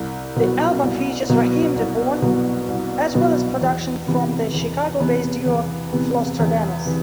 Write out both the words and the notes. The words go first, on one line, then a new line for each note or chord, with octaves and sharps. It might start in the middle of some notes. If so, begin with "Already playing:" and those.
The album features Raheem DeVaughn as well as production from the Chicago-based duo Flosstradamus.
Already playing: C2
B2 F#3 B3 F#4
C2
B2 F#3 B3 F#4
C2
B2 F#3 B3 F#4
C2
B2 F#3 B3 F#4
E2
C3 E3 B3
E2
C3 E3 B3
E2
C3 E3 B3
E2
C3 E3